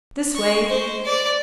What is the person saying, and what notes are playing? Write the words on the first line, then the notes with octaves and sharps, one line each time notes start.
This way.
C#6
C5
D5